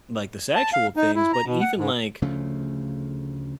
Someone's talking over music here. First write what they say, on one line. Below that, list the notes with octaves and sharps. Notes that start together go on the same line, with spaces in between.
like, the sexual things, but even like
A5
F5
D#4
E4
A#5
B2
F#5
G#2
D2 C#3 F3 A3